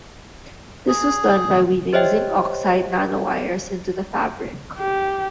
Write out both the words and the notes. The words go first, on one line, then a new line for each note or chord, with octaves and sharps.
This was done by weaving zinc oxide nanowires into the fabric.
G#4
G4 C5 C#5 D#5 E5 G5
G4